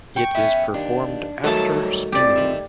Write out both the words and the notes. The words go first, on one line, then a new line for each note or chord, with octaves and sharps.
It is performed after spinning.
G5 C#6
B3 C#4 E5
D#2 D4
D#3 F#3 G3 A3 A#3 C#5 A5
G2 C4 G4 D5
D#3 E5